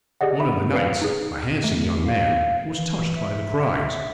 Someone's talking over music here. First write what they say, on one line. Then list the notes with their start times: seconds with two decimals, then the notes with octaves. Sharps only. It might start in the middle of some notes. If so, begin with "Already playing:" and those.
One of the knights, a handsome young man, was touched by the cries.
0.21 G4 G#4 D5 D#5 F#5
0.40 E5 B5
0.73 B4 D5 F5 C7 C#7
1.02 D#4 G#4
1.64 A3
2.05 F5
2.71 E3
3.15 E5